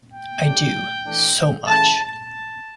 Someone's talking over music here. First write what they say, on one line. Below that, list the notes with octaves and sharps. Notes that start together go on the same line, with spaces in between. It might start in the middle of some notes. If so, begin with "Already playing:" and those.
I do, so much.
G5
A2 G3 D4
E3 A3 D4
C#3 E3 A3 A5
A5